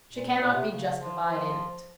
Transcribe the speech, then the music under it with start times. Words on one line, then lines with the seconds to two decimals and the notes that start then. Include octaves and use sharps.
She cannot be justified in it.
0.11 A#2
0.40 A#2
0.54 C3
0.69 C#3
0.97 F3
1.25 F3